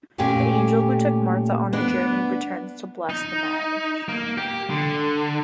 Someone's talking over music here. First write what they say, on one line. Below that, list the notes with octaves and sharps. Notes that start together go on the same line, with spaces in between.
The angel who took Martha on her journey returns to bless the marriage.
A#2 A3 C#4 G4 G5 G#5
B3 D4 B4
D#4
A#3
G4
D3